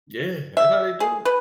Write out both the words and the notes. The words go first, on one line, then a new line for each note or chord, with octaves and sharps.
Yeah, that how they do it.
E5
G#4
B4